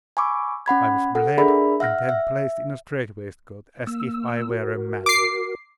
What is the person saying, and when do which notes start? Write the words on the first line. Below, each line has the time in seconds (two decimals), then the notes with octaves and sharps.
I was bled; and then placed in a strait-waistcoat, as if I were a madman.
0.17 G#5 B5 C#6 D6 E6
0.66 C#4 F#5 B5 G#6
1.15 A4 F#5
1.38 D4 G#4 A#4 D5 E5 B5
1.80 E5 F#5 F6 A#6
2.09 E5
3.87 A#3 E6
4.50 F#4 A#4
5.06 D6 C7